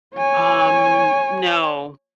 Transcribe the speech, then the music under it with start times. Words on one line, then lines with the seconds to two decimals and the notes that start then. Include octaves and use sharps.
Um, no.
0.15 C#5 G#5